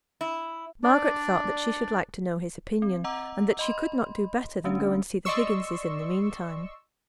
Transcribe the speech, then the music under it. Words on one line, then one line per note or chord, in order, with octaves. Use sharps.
Margaret thought that she should like to know his opinion, and that she could not do better than go and see the Higginses in the meantime.
E4
D4 D5
C4
D#5 F#5 A#5 D6 E6
D#5 B5 C6
D3 A3 C#4 D4
D5 D#5 C6 C#6 E6